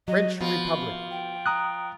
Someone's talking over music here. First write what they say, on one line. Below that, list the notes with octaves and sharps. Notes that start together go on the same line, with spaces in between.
"French Republic."
F#3 D#5
F3 B3 F#4 B5
G5
A#5 D#6 F#6